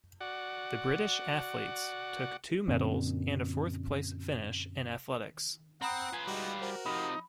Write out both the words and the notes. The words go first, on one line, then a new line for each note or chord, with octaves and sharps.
The British athletes took two medals and a fourth-place finish in athletics.
F#4 D5 F#5
F#2 A#2 D3 C4
C4 F#5 A#5 B5 D#6
F4 B4 G#5
G3 G#3 D#4 F#4
F#4 A#4 C5
C3 F3 D#4 B5